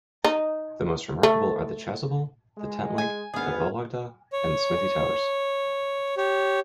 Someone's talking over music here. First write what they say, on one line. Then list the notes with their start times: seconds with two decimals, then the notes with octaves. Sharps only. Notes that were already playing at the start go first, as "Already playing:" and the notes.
The most remarkable are the Chasuble, the Tent-like, the Vologda, and the Smithy towers.
0.24 D#4
1.23 A3
2.58 G#3
2.98 G#5
3.34 G#1 D2 B3 G#4 F5
4.33 C#5
6.17 G4 C#5